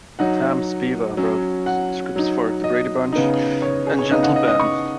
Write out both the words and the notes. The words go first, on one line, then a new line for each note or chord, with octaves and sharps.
Tam Spiva wrote scripts for "The Brady Bunch" and "Gentle Ben".
F#3 D#4 F#5
F#3 C#4
F#5
F#3 D#4
D#5
C#3 B3 D#4
C#5
G#4
C#5
C#3 B3 D#4 D#5
F#5
D#5
D#5
C#6